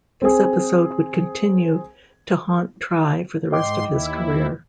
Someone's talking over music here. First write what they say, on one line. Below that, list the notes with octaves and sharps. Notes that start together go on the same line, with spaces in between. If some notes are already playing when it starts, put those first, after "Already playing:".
This episode would continue to haunt Try for the rest of his career.
C4 G#4
G#2 D#5 G5 C6 D6
D#2 E4